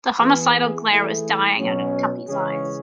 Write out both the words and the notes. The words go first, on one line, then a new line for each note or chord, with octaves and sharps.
The homicidal glare was dying out of Tuppy's eyes.
E3 B3 E4 G#4
E3 A3 E4 G#4
B2 F#3 C#4
C#3 E3 G#3 C#4 G#4